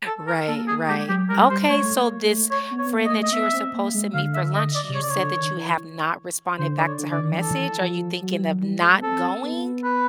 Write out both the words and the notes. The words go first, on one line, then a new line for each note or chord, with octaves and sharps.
Right, right, okay, so this friend that you were supposed to meet for lunch, you said that you have not responded back to her message, are you thinking of not going?
A4
A#4
A#3 A4
G#4
G#3 G4
F#3 G4
G3 A#4
G3 C5
A3 C#5
G#3
A3
A#3
A3
C#5
B3
C#5
B3
A#3
D#5
A3
D#5
B3 E5
C4
A#3
G#3
D3 F5
E5
D#5
D5
C3
C#3 C#5
D5
C#5
D3
D#3
E3
D3 C5
D3 D5
C#5
D3
D3 D5
D#3
F3
E3 A4
F3
F#3
G3
F#3
G3
G#3
B3
C4 A4
B3
B4